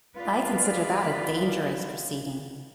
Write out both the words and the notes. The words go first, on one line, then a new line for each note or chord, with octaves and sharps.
I consider that a dangerous proceeding.
G#3 B3 F4 B4 D5 F5